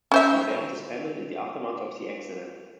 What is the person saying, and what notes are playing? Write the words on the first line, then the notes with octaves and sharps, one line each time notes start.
The band disbanded in the aftermath of the accident.
C#4 C5 E5